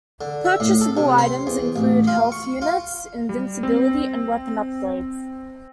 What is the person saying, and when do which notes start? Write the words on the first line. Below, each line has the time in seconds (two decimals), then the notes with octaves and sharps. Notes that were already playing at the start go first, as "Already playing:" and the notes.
Purchasable items include health units, invincibility, and weapon upgrades.
0.21 D3
0.45 E5
0.60 A2
0.81 A4
0.97 C3
1.18 C5
1.47 E2
1.76 A1
2.07 F4
2.32 C#6
2.62 F4
3.29 G3
3.63 C4